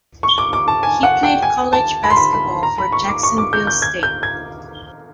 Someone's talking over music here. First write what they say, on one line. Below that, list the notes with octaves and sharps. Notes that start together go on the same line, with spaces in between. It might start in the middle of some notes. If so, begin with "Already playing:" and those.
He played college basketball for Jacksonville State.
C#6
D6
D6
A5
G#5
F#5
G5
G#5
A5
B5
C6
B5
B5
A#5
B5
C#6
D6
C#6
D6
G6
G6
G#6
G6
G#6